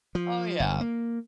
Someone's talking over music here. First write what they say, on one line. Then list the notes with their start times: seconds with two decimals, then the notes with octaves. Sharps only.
Oh, yeah.
0.15 F3
0.60 G1
0.81 A#3